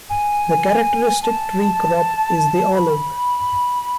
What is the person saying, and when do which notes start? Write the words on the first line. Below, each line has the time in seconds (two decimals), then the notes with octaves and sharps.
The characteristic tree crop is the olive.
0.10 G#5
1.23 A5
2.75 B5